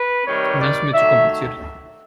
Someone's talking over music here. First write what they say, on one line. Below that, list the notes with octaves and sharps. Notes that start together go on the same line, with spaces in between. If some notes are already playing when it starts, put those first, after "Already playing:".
Das ist mir zu kompliziert.
Already playing: B4
C3 D#3 G3 C#5
D5
D#3 F#3 A3 E5